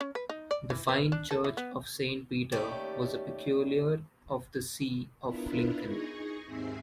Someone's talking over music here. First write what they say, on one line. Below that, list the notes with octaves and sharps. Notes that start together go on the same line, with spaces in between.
The fine church of Saint Peter was a Peculiar of the see of Lincoln.
C#4
B4
D#4
D5
E3
B4
D4
A4
E3
B3
D#2 A3 C#4 G4 D5
B3 D4 E4 F4 A#4 B4
D#4 G#4 C#6 G#6 A#6
D#2 G#2 C4 E5 G#5 C7